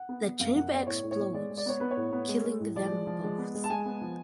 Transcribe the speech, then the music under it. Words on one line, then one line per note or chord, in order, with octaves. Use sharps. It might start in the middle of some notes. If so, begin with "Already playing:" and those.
The chamber explodes, killing them both.
Already playing: F#5
B3
B3
F#2 F5
F#2 F#5
B3 D5
A2 C#5
A2
C#5
B3
G#3 D5
G#3
D5
B3 C#5
B3 B4
C#5
A2
B3
G#3
G#3
A2
F3 D5
G#3
F3
G#3
B3
G#3
A5
G#3 G#5
B3
F3